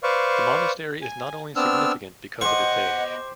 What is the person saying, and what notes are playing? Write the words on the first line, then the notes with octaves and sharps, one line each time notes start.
The monastery is not only significant because of its age.
B4 C5 D5 F5 C#6
G#5
B3 C4 D4 E6 F6
B3 G4 C5 D#5 F#5 C#6